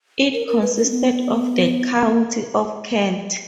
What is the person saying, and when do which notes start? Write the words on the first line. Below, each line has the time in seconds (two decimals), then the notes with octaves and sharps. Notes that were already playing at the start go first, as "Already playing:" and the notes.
It consisted of the County of Kent.
0.33 A#4
0.48 A#4
0.62 B4
0.76 A#4
0.85 C#4
0.90 B3